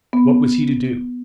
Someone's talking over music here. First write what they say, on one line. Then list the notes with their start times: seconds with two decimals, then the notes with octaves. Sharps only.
What was he to do?
0.13 B3